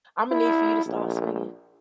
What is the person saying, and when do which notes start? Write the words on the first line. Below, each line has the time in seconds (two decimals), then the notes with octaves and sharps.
Imma need for you to start swinging,
0.31 E4
0.86 A#1